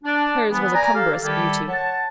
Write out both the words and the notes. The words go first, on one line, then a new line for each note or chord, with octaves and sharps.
Hers was a cumbrous beauty.
D4
E3 F3 B3
D5 G#5 A#5
G4 A4 F5
D#3 G3 E4 G4 A4
C#5 F#5 A5